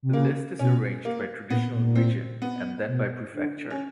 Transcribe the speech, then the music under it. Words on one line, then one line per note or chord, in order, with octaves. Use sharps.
The list is arranged by traditional region and then by prefecture.
C3
C#3 A#3
B2 C#4
A#3
A#2 B3
A#2
C4
B3
B2
D3
C#4